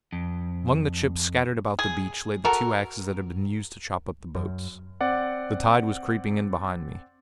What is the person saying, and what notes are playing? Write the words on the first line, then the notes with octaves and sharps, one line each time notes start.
Among the chips scattered about the beach lay the two axes that had been used to chop up the boats. The tide was creeping in behind me.
F2
G#4
F#4 A4 A#4
F#2
C4 D5 F#5